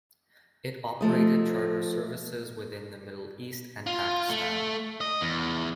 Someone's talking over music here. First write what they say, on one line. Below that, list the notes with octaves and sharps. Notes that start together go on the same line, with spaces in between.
It operated charter services within the Middle East and Pakistan.
F3 A3 D#5
F4
A3
D#5
E2